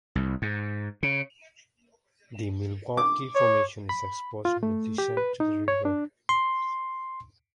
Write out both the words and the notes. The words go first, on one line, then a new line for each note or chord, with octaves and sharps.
The Milwaukee Formation is exposed on the descent to the river.
C2
G#2
C#3
D6
C#5
B5
F4
A3
G4
B4
D#4
C#5
D4
C6